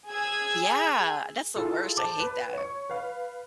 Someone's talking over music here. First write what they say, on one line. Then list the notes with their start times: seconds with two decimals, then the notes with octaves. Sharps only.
Yeah. That's the worst, I hate that.
0.11 G#4 E6 G#6
1.56 E4 F4 G#4 A4
1.97 C5 A5 D6
2.20 B4
2.53 C#5 C#6
2.89 B4 F5